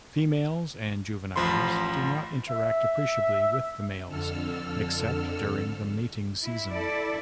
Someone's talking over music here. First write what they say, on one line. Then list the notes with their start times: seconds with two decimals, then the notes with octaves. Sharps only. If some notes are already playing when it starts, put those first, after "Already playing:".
Females and juveniles do not interact appreciably with males, except during the mating season.
1.36 A1 F3 B5 C6
2.50 E5
4.07 F2 D3 A4 E6 F6
6.43 E4
6.72 E4 A4 D5